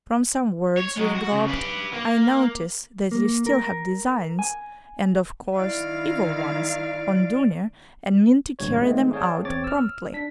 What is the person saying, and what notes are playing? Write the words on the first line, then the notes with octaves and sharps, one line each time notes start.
"From some words you've dropped, I notice that you still have designs--and of course evil ones--on Dounia and mean to carry them out promptly."
C#5
F#3 G#3
F#4
C#3
B4 D5
A#3
A#3
A#4
G#5
D#3 E4 D5 F5
A1 D2 G2 C#5
D#3 G#3 A3 B3 C4
G#4 C#5 D5 F5 G5 A5
E2 C4 C#5 D6 A6
E6 F6
D4 B6